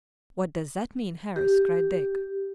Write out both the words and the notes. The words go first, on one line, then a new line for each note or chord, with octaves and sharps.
"What does that mean, Harris?" cried Dick.
G4